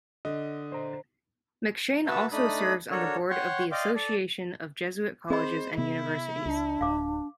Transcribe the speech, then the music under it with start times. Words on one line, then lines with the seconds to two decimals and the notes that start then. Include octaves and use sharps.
McShane also serves on the board of the Association of Jesuit Colleges and Universities.
0.25 D3 D#5
0.72 C5 A#5
2.06 F#4 B4 E5 A5
2.32 A3 D4 D#4 B5 D#6
2.91 D4 F#4 A4 A#4 C#5
3.30 C#5 F#5 G5 C6 C#6
3.72 D5 D#5 F5 G5 C6 D6
3.95 A4 D5
5.30 C4 G#4 C5 D#5 B5
5.78 C3 B3 E4
6.46 C#2 D4
6.81 D1 F5 D6